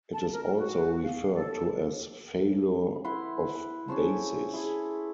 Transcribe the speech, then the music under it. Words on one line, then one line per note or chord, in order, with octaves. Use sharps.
It is also referred to as "failure of basis".
A5
A#4
F#4
F5
A4
E4 B4 F#5 C6
C#4 G#4 C5 A5
E4 G#4 A4